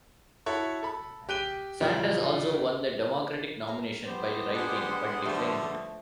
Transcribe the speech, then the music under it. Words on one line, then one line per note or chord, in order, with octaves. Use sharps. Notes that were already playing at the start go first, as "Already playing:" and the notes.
Sanders also won the Democratic nomination by write-in, but declined it.
E4 F#4 A4 C#5
A4 B5
G4 F#6 D7 D#7 G7
E2 A#2 C#3 F3 G3
F5 A#5
B3 G4 C5
G#3 D4 D#5 F#5
D3 F3 G3 A3